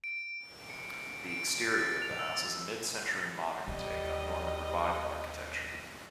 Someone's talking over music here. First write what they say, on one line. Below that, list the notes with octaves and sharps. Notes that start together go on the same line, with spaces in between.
The exterior of the house is a mid-century modern take on Norman revival architecture.
D7
C#7
D7
A6
F7
E6
D#2 G3 D#5